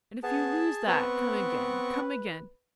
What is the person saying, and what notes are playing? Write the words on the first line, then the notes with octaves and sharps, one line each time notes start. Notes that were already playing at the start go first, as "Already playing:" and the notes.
"And if you lose that, come again, come again."
B3 G#4 A5
B3 C4 B4 C#6